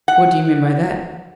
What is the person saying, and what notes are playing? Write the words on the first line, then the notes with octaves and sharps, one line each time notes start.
"What do you mean by that?"
F#5